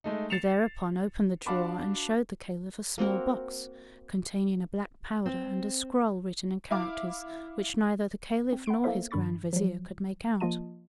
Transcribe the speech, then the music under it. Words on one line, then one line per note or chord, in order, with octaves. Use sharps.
He thereupon opened the drawer and showed the Caliph a small box, containing a black powder and a scroll written in characters which neither the Caliph nor his Grand Vizier could make out.
G#3 A3 D#4
A6 C7 C#7 E7 F7
D4 F#4 F5 A5 B5 D6
A#3 C4 F#4 A#4
C4
E4 F5 D6
C4
F#5 B5 C6 D7
A#3 B3 E4 A4 C5 E5
G2 D#3 D4 B5 C#6 A6
F3 F#3
F3 A#3 F4 D#5 A5 D#7